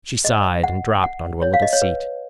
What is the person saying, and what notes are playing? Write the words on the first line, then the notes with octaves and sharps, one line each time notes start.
She sighed and dropped onto a little seat.
D#5
F#5
F#5
C#5
F5
D#5
C#5
B4